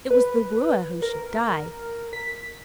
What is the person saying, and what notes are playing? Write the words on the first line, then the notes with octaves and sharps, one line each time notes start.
It was the wooer who should die.
B4
A#4
B6